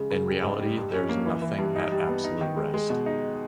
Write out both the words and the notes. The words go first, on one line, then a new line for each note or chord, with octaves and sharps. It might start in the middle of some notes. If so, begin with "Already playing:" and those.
In reality, there is nothing at absolute rest.
Already playing: C#3 G#3
C#3
G3
G#2
G3
G2
C#4
A#3
E3
E3
G2
D#4
G3
B3
D#4
D#3
G#3
G#3
B2
D#4